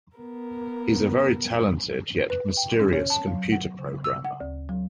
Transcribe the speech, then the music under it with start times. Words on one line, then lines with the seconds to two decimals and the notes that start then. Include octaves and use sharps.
He's a very talented, yet mysterious computer programmer.
0.17 B3 A#4
2.30 B4
2.57 G5
2.80 C#4
2.93 C#5
3.10 A5
3.27 F#3
3.52 F#5
3.79 C#3
4.04 E6
4.25 F#5
4.40 D2
4.69 F#3